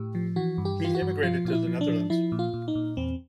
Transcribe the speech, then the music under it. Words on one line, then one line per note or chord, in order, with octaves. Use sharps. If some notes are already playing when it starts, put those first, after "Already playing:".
He emigrated to the Netherlands.
Already playing: A2 G4
F3
E3 F#4
G2
G4
E3 F4
F#4
G2
F3 F4
A#2 F4
E4
F3
D4
F3
F3 E4
A#2
F4
A#2
D#4
A#2
E2 C4